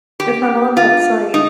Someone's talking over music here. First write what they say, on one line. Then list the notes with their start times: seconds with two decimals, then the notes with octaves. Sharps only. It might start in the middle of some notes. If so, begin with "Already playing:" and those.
if I'm on that site,
0.20 G4
0.77 F4
1.34 D#4